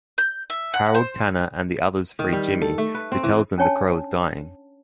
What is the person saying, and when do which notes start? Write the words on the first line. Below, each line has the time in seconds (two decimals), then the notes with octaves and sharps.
Harold, Tanner, and the others free Jimmy, who tells them the crow is dying.
0.18 G6
0.50 E5
0.74 F#5
0.95 C5
2.19 D#3
2.32 G3
2.61 A4
2.78 A3
2.94 B4
3.12 C4
3.23 E3
3.58 C#4 D4 C#5 G5 A5